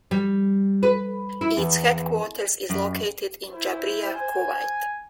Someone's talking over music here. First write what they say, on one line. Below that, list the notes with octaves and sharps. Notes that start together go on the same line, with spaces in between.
Its headquarters is located in Jabriya, Kuwait.
G3
B4
E4
E2
F#2
E4 C5
G#5